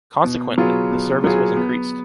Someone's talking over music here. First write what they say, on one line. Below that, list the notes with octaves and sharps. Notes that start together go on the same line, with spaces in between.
Consequently, the service was increased.
B2
F#3 B3 F4 G#4
B2
F#3 B3 F4 G#4
B3